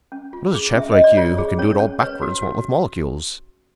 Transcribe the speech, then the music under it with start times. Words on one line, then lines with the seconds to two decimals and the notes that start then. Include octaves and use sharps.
"What does a chap like you, who can do it all backwards, want with molecules?"
0.12 C#4
0.33 F4
0.55 G#4
0.75 C#4 E5
0.92 D#5
0.97 C#4
1.04 D5
1.17 F4 C#5
1.38 G#4
1.59 C#4 C#5
1.80 C#4
2.01 B4 C#5
2.22 F#4
2.42 F#4